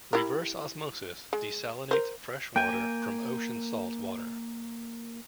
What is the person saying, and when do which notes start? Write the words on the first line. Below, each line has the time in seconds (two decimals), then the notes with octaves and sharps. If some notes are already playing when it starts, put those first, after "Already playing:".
Reverse osmosis desalinates fresh water from ocean salt water.
0.13 E4 G4 A#4
1.33 G#3
1.91 A#4 C5
2.56 A#3 G5 G#5